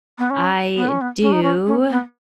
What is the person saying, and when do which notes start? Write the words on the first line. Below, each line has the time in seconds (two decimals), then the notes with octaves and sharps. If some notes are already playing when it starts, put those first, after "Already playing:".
I do.
0.19 B3
0.30 C#4
0.77 B3
0.89 C#4
1.01 B3
1.22 C#4
1.32 D#4
1.43 C#4
1.67 C#4
1.90 B3